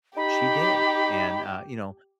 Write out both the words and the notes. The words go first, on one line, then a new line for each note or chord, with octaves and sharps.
she did, and, uh, you know,
D#4 G4 B5